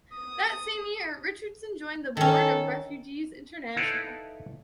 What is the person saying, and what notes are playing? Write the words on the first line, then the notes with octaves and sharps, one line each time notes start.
That same year, Richardson joined the board of Refugees International.
D#6
D#3 C#4 A4
D#4 E4 A4 B4 D5 F5